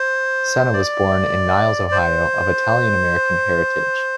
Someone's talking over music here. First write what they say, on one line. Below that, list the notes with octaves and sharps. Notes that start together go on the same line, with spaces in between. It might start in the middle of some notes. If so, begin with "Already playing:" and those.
Sena was born in Niles, Ohio of Italian-American heritage.
Already playing: C5
D5
C5